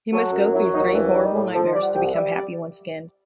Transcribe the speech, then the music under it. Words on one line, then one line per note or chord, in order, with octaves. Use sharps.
He must go through three horrible nightmares to become happy once again.
F#3 A4
F#2
F#3 E4
D#2 D#4
E3 D4
C#4
G3 D4
D#4
A2
F3 A4
G3 D5
F#5
C2 G5
F#5
G3 E5
D5